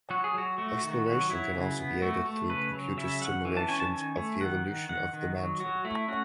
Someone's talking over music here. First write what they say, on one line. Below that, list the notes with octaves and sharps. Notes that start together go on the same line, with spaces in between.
Exploration can also be aided through computer simulations of the evolution of the mantle.
F#3 F#4
G#4
F#3 F#4
A3 F#4
D#3 F#4
F#3 F#4
F#3 E4
C#3
B3
A3 F#4
A3
C#3 B4
F#3
C#3 E5
C#4 F#5
E3
A5
C#4 G#5
A5
D#3 G#5
A3
D#3 F#5
D#3
D#3 F#5
D#3
F#3
F#3 F#4
A3 E4
C#4 F#4